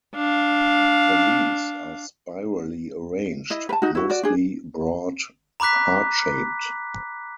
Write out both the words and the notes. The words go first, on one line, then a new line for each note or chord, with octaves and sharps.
The leaves are spirally arranged, mostly broad heart-shaped.
D4 F5
E4 D#5
B4 A5
D#4 F#4
E4 F#4
F#4 D5
D4 G#4
A#5 B5 D6 F#6 B6